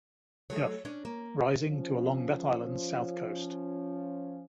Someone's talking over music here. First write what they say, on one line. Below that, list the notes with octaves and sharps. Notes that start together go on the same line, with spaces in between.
Duff, rising to along that island's south coast.
F#3 A3 G#4 C#5
C#4 D4
A#3
F3 C#4